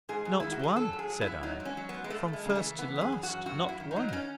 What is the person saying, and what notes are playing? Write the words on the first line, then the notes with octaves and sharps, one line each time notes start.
"Not one," said I. "From first to last, not one."
G#2 G#4
G#2
D#3 E4
F#4
F#3 G#4
F#3 A4
A2
G#4
F#3
E4
A2
F#3 D#4
G#2
C#4
F#3
B3
G#2
G#3
E2 A3
E2
G#3
C#3 G#3
A3
E3
E3 B3
F#2
G#4
E3
F#4
F#2
F#2 F#4
F#2
E4
D#3
D#4
F#3
D#4
C#4